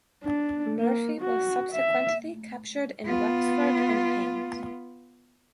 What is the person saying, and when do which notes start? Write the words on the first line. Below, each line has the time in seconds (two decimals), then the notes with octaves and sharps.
Murphy was subsequently captured in Wexford and hanged.
0.23 D4
0.80 A#3
1.21 F#4
1.74 E5
3.06 B3 F4